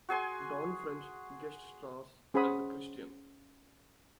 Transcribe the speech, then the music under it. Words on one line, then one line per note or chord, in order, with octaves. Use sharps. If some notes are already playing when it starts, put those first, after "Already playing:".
Dawn French guest stars, as the Christian.
F#4 G#4 G#5 C6
C#4 G#4 C5 F#5 B5 D#6